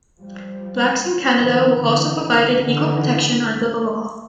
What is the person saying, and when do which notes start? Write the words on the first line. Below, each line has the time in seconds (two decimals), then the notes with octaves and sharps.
Blacks in Canada were also provided equal protection under the law.
0.19 F3 G3
1.39 D#3 F3
1.79 D3 E3
2.58 D3 E3